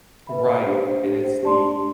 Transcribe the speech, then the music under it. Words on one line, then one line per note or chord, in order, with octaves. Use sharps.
Right. And it's the
B4 E5 B5
D4 G4 C5
D4 G4 C5
D4 G4 D5 A5 C6